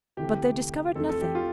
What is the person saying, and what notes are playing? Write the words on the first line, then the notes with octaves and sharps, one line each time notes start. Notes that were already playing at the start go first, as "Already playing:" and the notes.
But they discovered nothing.
D2 C3 E3 A3 G4
F2 E3 A3 A4
A4
G4
F4